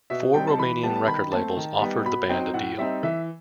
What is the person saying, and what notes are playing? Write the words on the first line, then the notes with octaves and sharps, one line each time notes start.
Four Romanian record labels offered the band a deal.
B2 E5
G3 C4 D#4 G5
A5
E3 B5
G3 B3 A5
A5
D#3 B5
A3 C4 A5
D#3
G3 B3 D#4
B2 B5
F#3 C4 D#4 G5
A2 F#5
G3 C4 D#4 E5
E3 E5